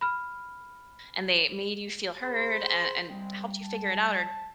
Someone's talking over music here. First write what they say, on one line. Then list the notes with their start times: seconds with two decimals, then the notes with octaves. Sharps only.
and they made you feel heard and and helped you figure it out or
0.01 B5 F6
2.22 G#4 C5 B5
3.10 C2 G3 G#3 C4
3.64 A5